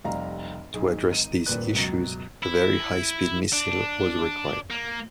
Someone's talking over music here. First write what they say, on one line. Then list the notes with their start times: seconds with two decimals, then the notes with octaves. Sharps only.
To address these issues, a very high speed missile was required.
0.04 F1 G3 F5 A#5
0.73 B1 G#4
1.11 G#1 D#4 D#5 D#7
1.46 D#1 A#2 B4 F#6
1.74 C#2 F#2 B2
2.43 E4
3.53 D4
4.71 A#3